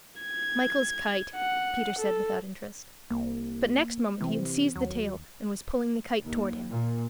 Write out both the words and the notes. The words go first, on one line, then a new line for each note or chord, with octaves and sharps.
"Michael's kite," Peter said without interest, but next moment he had seized the tail, and was pulling the kite toward him.
G#6
F#5
A4
C2 A#3
C3 E3 C4
D#2 F#3
D#2
A#2